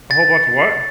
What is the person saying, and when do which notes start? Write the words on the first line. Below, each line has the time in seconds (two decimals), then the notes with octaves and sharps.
A whole bunch of what?
0.11 A6